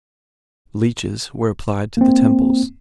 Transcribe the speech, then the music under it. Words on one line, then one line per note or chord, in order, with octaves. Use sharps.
Leeches were applied to the temples.
A#3 C4